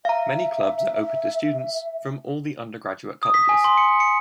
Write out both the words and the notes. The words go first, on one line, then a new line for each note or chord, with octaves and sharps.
Many clubs are open to students from all the undergraduate colleges.
E5 F5 A#5
D#6
B6
G#5
C6
C#7
C#7